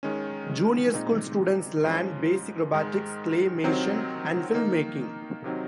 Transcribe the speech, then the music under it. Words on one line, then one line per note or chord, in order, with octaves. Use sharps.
Junior school students learn basic robotics, clay-mation and film making.
D#3 G#3 C#4
A#2 G#3 C4 D#4
G#2 F3 G#3 C#4
G#2 D#3 G#3
C3 D#3 F#3 C4
D#3 A#3 D#4
C3 D#3 F#3 C4 D#4